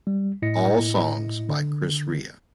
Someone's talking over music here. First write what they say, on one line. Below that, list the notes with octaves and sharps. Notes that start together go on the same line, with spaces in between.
All songs by Chris Rea.
G3
A2 E4 D#5 A#6 C#7
D3